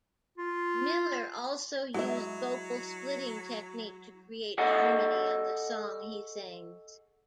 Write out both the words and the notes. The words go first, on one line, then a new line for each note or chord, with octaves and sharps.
Miller also used vocal splitting technique to create harmony on the song he sings.
F4
F#3 G#3 E4 F#4 E5
G#4 A4 C#5 D#5 F#5